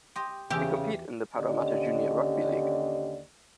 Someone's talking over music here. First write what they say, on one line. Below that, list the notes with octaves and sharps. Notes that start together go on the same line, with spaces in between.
They compete in the Parramatta Junior Rugby League.
G4 D#5 C6
E2 C#3 G4 G#5 E6 G6
D#2 D3 C#4 G4 D5 D#5